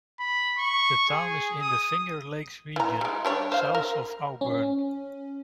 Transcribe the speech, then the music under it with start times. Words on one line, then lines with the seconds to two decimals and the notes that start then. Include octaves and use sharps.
The town is in the Finger Lakes region, south of Auburn.
0.19 B5
0.58 C#6
1.09 G#4
1.61 D#6
2.76 E3 A#5
3.01 G3 G#3
3.25 G3 D4 C#5
3.52 C5 F5
3.75 A#4
4.41 C#4